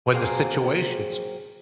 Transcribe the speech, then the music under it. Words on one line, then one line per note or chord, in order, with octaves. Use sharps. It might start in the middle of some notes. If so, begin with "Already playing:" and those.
when the situation's
F#3 A#3 C4 G#4